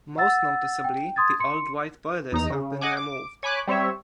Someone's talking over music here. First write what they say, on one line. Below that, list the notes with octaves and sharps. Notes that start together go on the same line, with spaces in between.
Most noticeably, the old white borders have been removed.
F#5 E6 A6
G5
C6 D#6 G#6 A6
C6 C#7
E2 D#4 A#5
C#3
D#5 F#5 G#5 D6
D6
C#5 G#5 B5 D6 F#6
G3 C4 C#5 E5